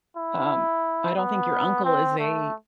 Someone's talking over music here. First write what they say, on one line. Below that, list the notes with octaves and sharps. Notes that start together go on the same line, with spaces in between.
Um, I don't think your uncle is a
E4
B3
C4
A3